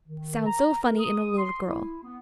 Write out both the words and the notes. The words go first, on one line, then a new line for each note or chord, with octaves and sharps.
It sounds so funny in a little girl.
D#3
A#5
A#4
D#6
C6
E4
B3